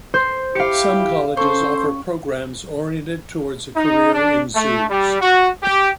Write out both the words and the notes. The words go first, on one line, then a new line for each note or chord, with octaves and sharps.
Some colleges offer programs oriented towards a career in zoos.
C5
E4 G4 F5 C#7
C#4 A4 C5 C#6
D#4
D4
A3
G3
F#4
G4